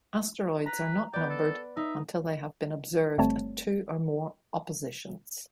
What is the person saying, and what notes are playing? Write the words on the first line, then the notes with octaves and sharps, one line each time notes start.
Asteroids are not numbered until they have been observed at two or more oppositions.
B4 A#5
B3 D5 G5
A4
D#4 E5
G1 G3 A3 C4 C#5 A5